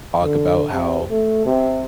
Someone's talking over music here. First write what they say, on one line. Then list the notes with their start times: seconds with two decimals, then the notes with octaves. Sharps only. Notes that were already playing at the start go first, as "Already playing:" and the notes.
talk about how
0.22 D3
0.72 C3
1.09 A3
1.45 C3